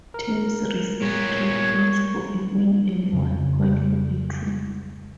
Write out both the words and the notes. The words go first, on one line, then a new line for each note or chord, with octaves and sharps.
Teams receive three points for a win and one point for a draw.
A#4
A#2 B3 C#5
F2 C#3 F#3